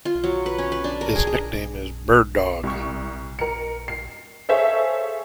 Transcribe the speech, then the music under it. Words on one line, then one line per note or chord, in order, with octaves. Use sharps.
His nickname is Bird Dogg.
F4
F#3
B4
C#4
B4
D4
A#4
G#4
G#4
C2 C#6
A#4 C#7
C7
G#4 A4 C5 C#5 E5 F5